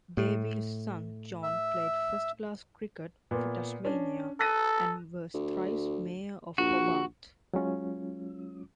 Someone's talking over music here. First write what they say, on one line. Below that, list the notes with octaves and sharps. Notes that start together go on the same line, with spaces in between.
Davies' son John played first-class cricket for Tasmania and was thrice Mayor of Hobart.
A2
E5
A#2 B3
C#4 D4
A4 F#6 A#6 D#7
D2
A#1 F#4
F#3 G#3 C#4 F4